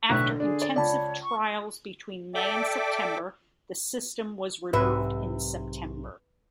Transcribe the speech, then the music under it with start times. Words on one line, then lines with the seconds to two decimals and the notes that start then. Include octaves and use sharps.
After intensive trials between May and September, the system was removed in September.
0.09 B1 A2 D3 E5 C#6 F#6
0.40 D4 G#4
0.62 D5
0.76 C#2 C#5 D5 A5 B5
1.23 C#6
2.34 A4 D5 E5 G5 D6
4.73 B1 G#2 C3 B4 E5